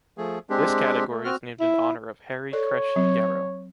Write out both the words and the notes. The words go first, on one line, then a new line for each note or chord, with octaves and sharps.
This category is named in honour of Harry Crécy Yarrow.
F3 A3 G#4
G#3 C4 D4 G4
A3
C4 F#4 F6
E4
A4 C#5 D5
F#3 C4